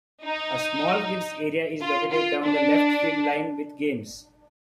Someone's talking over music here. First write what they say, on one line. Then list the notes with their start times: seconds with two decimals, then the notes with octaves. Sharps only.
A small kids' area is located down the left-field line with games.
0.24 D#4
1.81 F4
2.11 F4
2.43 D4